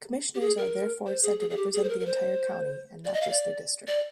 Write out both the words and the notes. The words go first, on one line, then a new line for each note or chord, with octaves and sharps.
Commissioners are therefore said to represent the entire county, and not just their district.
G4
G#4
A#4
C5
G#4
G#4
G#4
G4
G#4
C5
A#4
A#4
C5
D5
D#5
F5
D5
D5